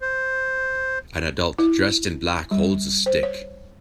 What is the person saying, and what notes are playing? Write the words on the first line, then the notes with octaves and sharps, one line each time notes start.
An adult dressed in black holds a stick.
C5
E4
G3
C5
C#5